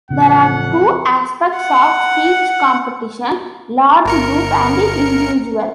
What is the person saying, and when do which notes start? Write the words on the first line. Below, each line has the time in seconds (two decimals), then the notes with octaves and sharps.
There are two aspects of speech competition: large group and individual.
0.10 A1 F2 C#3 F#5
1.56 F#5
4.05 G1 A#4 C#7